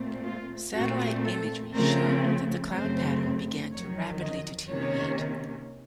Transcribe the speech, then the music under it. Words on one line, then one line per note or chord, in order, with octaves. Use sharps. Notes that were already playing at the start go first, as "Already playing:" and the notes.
Satellite imagery showed that the cloud pattern began to rapidly deteriorate.
Already playing: A#2 A3 C4
F4
A#2 A3 C4 F#4
A4
C#3 F3 A3 C4 A#4
F#2 C#3 A3 C4 C5
F2 D#3 F#3 C#5
D#5
C3 D#3 A#3 C#4 C#5